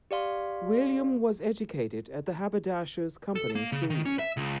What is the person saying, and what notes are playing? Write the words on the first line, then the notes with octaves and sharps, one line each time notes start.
William was educated at the Haberdashers' Company School.
G4 D5 F5 C6
A4
A#3
C#3
D#3
C#4
E5
C#2